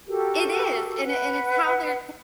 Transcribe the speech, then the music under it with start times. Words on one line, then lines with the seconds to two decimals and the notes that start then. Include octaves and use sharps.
It is, and it and it's how they're
0.07 F#4 G4 A4 A#4
1.03 B4 F#5